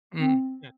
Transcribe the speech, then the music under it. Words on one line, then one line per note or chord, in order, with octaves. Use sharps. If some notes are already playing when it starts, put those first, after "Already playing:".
Mm. Yeah.
C4